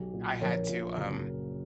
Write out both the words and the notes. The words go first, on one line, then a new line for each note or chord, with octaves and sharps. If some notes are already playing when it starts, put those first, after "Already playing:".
I had to, um
Already playing: B1 G4
A#2
A#1 A#4 C#5
A#2
F#1